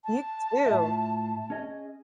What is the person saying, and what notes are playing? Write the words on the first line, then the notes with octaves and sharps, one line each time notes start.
You too.
A5
A2 F4 E5
C#4 G#4 D#5